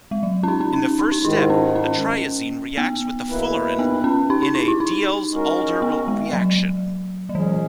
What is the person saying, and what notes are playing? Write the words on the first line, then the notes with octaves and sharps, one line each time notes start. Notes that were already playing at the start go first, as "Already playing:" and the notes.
In the first step the triazine reacts with the fullerene in a Diels-Alder reaction.
G#3
F#3
C#4
D#4
C#4
D#4
D#4
D#4
G#2 D#3 G#3 E4
D#4
C#4
C#4
B3
E2 B2 A#3 E4 B4
B3
C#4
D#4
D#4
E4
E4
D#4
G#3 C#4 F#4 A#4
B3
G#3
F#3
F#3
A#2 E3 G#3 C#4 G#4